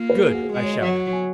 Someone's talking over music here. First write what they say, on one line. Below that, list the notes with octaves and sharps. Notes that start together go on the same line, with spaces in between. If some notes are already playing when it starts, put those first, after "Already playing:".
"Good!" I shouted.
Already playing: A#3 F4
B4
A#4
G#4
F#4
G#4
G#3 D#5
C#5
D#5
F#3 F#5
G#5